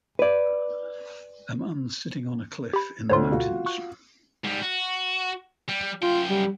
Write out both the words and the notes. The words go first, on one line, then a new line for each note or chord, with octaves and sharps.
A man sitting on a cliff in the mountains.
B4 D5
G4 B5
D2 F4 C5 C#5
D2 B2 F4 F#4
C#6 F#6
G#2 G3
F#4
G3
F#2 F4 G5
G3